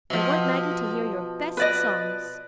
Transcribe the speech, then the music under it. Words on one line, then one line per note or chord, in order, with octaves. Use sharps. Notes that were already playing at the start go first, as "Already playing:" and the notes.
"I want Maggie to hear your best songs."
B2 F3
B4 D5 D#5